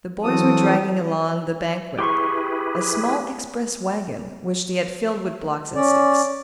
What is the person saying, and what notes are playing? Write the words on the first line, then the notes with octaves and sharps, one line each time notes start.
The boys were dragging along the banquette a small "express wagon," which they had filled with blocks and sticks.
E3 F#3 C4 F#4 A4 D#6
E4 G4 G#4 B4 C6 C#6
C#4 D5